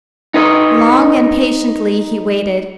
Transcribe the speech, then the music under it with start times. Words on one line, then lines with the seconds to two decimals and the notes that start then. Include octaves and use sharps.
Long and patiently he waited.
0.34 D#4 B4 D#5